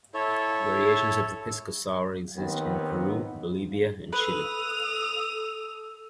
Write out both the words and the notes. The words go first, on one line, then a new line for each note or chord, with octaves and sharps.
Variations of the pisco sour exist in Peru, Bolivia, and Chile.
E4 A4 C#5
D#2 D#3 B3 C4
A4 B4 D#6 F7